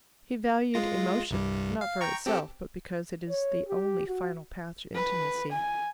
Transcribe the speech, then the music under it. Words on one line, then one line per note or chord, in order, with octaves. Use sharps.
He valued emotion--not for itself, but because it is the only final path to intimacy.
G#3 F4 A#6
C2 G2 G3
F5
G5 A#5 C#6
C4 G4 A4
C#5
G4
F#4
B4
G#5